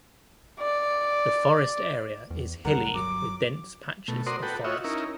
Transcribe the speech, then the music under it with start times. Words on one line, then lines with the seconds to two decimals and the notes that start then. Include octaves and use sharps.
The forest area is hilly with dense patches of forest.
0.60 D5
2.30 E2
2.65 C#2 F#2 G3 A#4 F#5
2.94 G1 F#3 D6
4.08 B2 A3
4.26 F#4 A#4 C5 D5 C6 D#6
4.43 F#4 A4 B4 G5
4.64 F4 F#4 C#5 D#5 E5
4.84 C#4 D#4 E4 A#4